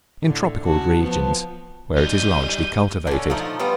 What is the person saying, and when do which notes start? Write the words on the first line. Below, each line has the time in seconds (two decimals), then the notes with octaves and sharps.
In tropical regions, where it is largely cultivated.
0.22 A2 D3
0.66 C#3 F#4 A5
0.98 F3 B3
1.97 G3 D#4 G6 D#7
3.07 D3 C#4
3.30 F3 A3 D#4
3.59 G3 B3 F4